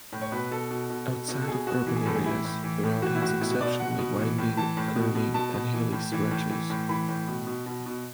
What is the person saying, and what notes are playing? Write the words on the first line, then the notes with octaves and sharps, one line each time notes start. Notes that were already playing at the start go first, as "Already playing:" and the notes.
Outside of urban areas the route has exceptionally winding, curving and hilly stretches.
A2
C#5
B2 B4
B2 A4
B2
B2
B2
B2
A4
B2 G#4
B2 F#4
E3 F#4
G#4
A2 A4
G#4
E3 E4
A2
E3
A2
E3 F#4
E4
A2 F#4
B2 E4
F#4
B2 D5
B2 F#5
B2
E3
A2
E3 A5
A2
B2
B2
B2 A5
B2
E3
A2
E3
A2
E3
A2
E3 B5
A2
B2
B2
B2
B2